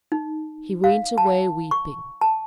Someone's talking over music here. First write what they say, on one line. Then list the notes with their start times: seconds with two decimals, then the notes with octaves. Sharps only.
He went away weeping.
0.12 D#4
0.84 F5
1.18 A5
1.71 C#6
2.21 A5